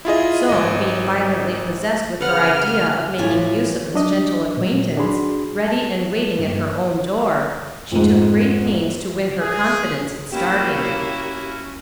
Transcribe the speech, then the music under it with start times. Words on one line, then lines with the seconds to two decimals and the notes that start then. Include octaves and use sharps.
So, being violently possessed with her idea of making use of this gentle acquaintance, ready and waiting at her own door, she took great pains to win her confidence at starting.
0.05 E4 F4 G#4 D#5
0.49 G#1 D#5
2.21 C#3 B4 F#5 F6
3.18 A2 E3 F4 G#5
3.94 F#3 D4 D#5
4.57 A#2 F#3
4.97 D4 F#4 G#4 B5 C6
5.68 A5
6.39 G2 A#3
7.92 F2 G#2
9.41 G#4
10.32 A#3 C#4 E4 F#4 G4